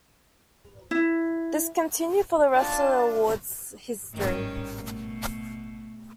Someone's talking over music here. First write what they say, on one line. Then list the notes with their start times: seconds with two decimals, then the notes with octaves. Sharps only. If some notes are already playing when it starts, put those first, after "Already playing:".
This continued for the rest of the award's history.
0.91 E4
2.55 D4 F4 A5
4.14 G#1 A2 D#3 G3 C#4
4.74 B2 A3